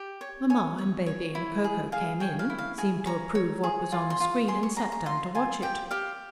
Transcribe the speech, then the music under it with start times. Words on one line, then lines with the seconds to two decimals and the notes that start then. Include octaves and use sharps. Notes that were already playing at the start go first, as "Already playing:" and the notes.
Mamma and Baby and Ko-Ko came in, seemed to approve what was on the screen and sat down to watch it.
Already playing: G4
0.21 C#5
0.50 C#5 G#5
0.78 C#5
1.06 C#5
1.35 E4
1.64 G#4
1.92 G#4 F5
2.20 C#5 G5
2.39 F5
2.50 E4
2.58 F5
2.78 G#4 G#5
3.06 C#5 A#5
3.35 C#5
3.64 G#4
3.92 F4
4.10 C6
4.20 F4
4.48 G#4 C6
4.63 C#6
4.77 G#4 A#5
4.92 A#5
5.06 F4 C6
5.35 F4 G#5
5.62 G4 G5
5.91 G4 F5